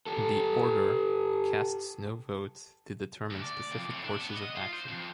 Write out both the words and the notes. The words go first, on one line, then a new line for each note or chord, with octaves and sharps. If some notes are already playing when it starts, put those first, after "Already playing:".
The Order casts no votes to determine specific courses of action.
G4 A4
D2
D5
F2
A2
D4
B3
D#5
F4
C5
F2